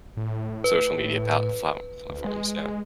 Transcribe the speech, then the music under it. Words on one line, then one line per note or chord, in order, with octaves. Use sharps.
social media palt flaut platforms, yeah.
A2
B4
D2
G#3